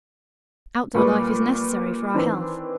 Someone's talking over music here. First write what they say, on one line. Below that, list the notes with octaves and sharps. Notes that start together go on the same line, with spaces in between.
Out-door life is necessary for our health.
A#2 G3 B4 C#6
D#3 E3 C4 D4